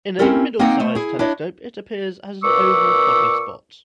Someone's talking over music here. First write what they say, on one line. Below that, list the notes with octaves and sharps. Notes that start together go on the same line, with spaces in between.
In a middle sized telescope it appears as an oval foggy spot.
C4 C#4 E4 G4 A4 A#4
A#3 C4 D#4 D#5 F#5 G5
A3 C5
E4 G#4
D4 E4 C#5 D#5
A#2 B4 C#6 D6 E6